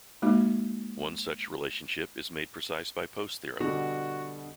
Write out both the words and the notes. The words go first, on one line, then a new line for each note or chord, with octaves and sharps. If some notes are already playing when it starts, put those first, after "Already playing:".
One such relationship is made precise by Post's theorem.
G#3 A#3 D#4 F#4
B2 D3 G3 F#4